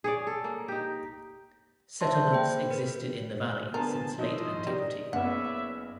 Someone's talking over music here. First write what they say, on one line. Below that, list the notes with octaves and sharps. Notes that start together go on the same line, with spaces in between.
Settlements existed in the valley since Late Antiquity.
G#4 C#5 D5
A4
A#3
D#4 G4
C5 D5 E5 A5 C6
G6
A#3 G#4 C5 G5
A#4 B4
D3 B3 G#4 A#4 C5 G#5 A5
D#2 F3 C#4 D#4 E4 C5 D#5
G3 A#4
F#1 B3 C#4 D5 E5 F#5